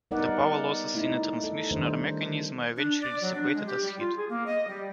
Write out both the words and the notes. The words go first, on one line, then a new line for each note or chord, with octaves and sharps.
The power losses in a transmission or mechanism are eventually dissipated as heat.
G3 B3 D#4 A#4 D5 F#5
A3 D#4 E4
A4
D#3 G3 A3 D4 C5
D4
D5
F#3
D4
G#3
G4
G3
F4
G#4
A#3
D#5
G3